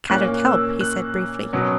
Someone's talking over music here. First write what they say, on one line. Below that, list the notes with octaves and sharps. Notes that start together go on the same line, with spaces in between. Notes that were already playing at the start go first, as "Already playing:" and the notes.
"Kadok help," he said briefly.
A#2 A#3 C#4 F#6
E6
F#6
B2 F#3 C#4